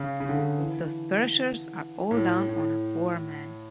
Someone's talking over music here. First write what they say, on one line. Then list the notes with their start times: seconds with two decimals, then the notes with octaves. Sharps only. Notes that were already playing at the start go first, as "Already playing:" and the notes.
Those perishers are all down on a poor man.
Already playing: C#3
0.20 C#3
0.29 D3
0.39 C#3
0.58 E3
2.11 A2
2.49 A2